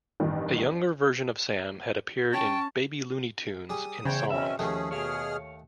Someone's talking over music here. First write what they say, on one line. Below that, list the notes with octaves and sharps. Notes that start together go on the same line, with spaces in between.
A younger version of Sam had appeared in "Baby Looney Tunes", in songs.
A1 E2 G2 D#3
C#4 G5 A5 C#6
G3 G#4 D#6
E2 C#3 C5 C#5 G5
B2 C4 C#4 E5
D#2 D#3 F3 A3 C#4 G#4
B2 G#4 C#5 F5 F6